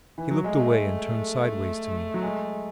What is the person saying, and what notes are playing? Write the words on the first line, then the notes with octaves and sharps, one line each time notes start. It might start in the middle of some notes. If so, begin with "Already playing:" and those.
He looked away and turned sideways to me.
E3
F#3
G#3 A3
F#3
G#3